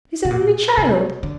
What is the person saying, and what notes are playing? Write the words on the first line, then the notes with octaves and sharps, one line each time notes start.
His only child!
C3
A#2
C3
D3